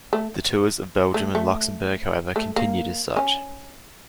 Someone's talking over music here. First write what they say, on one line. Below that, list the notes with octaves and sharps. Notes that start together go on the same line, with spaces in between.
The Tours of Belgium and Luxembourg however continued as such.
A3
A3
A3
A3
A#3
C#4